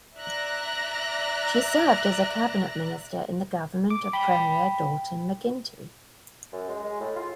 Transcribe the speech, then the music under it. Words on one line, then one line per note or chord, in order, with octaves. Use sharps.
She served as a cabinet minister in the government of Premier Dalton McGuinty.
D5 E5 A#5 F#6 A#6
D6
G5 B5 G7
F#2
G#3
G#3
A2
F4